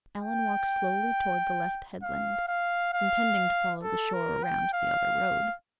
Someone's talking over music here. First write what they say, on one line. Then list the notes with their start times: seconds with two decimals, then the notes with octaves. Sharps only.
Alan walked slowly towards the left headland, intending to follow the shore around to the other road.
0.23 G5
2.03 F5
2.48 F5
2.93 F5
3.84 A4
4.14 A#4
4.44 G5
4.74 F5